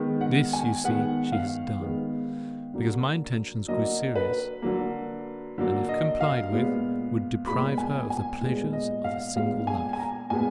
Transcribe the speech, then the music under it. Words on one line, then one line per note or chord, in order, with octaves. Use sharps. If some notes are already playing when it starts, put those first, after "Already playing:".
This, you see, she has done, because my intentions grew serious, and if complied with, would deprive her of THE PLEASURES OF A SINGLE LIFE!
Already playing: D#3 G#3 B3
F#5
G#5
D#3 G#3 B3 F#5
F5
D#3 G#3 B3
D3 F#3 A#3
D3 F#3 A#3 D#5
B4
D3 F#3 A#3
D3 F#3 A#3
D#5
F5
A#2 G#3 B3
A#2 G#3 B3 B5
G#5
G#5
A#2 G#3 B3
D#5
F5
A#2 G#3 B3 F5
G#5
G#5
A#5
A#2 G#3 B3 G#5